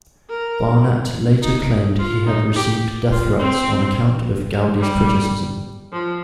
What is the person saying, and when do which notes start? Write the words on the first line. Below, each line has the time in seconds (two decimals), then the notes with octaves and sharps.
Barnett later claimed he had received death threats on account of Gowdy's criticism.
0.30 A#4
1.42 D#4
1.99 F4
2.26 D#4
2.55 G4
3.12 F4
3.39 C4
4.80 G3
5.93 F3